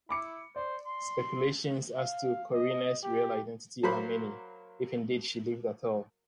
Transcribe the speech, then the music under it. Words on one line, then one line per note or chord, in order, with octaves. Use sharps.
Speculations as to Corinna's real identity are many, if indeed she lived at all.
E4 B5 D6 C#7
C5 D5
C6
F5
D#5
G4
F#3 A#3 C5 B5